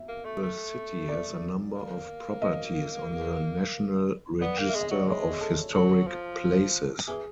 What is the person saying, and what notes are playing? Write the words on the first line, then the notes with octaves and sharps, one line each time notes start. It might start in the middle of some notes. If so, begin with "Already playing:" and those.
The city has a number of properties on the National Register of Historic Places.
Already playing: E5
A#3
A3
A3
D5
A#3
D#5
B3 D5
A#3
E5
G#3
D#5
F#3 D5
G#3 C#5
A4
F#3 A4
F3
E3 G#4